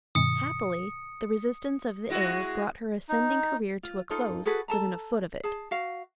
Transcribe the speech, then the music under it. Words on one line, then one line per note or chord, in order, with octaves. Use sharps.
Happily, the resistance of the air brought her ascending career to a close within a foot of it.
G2 B2 D#3 D#6 C#7
G#3 E4 F#4
D#4
F4
D#4 F4 A4 C5
F#4 G#4 A4 B4
A4 A5 A#5
G#4 A5
F#4 F5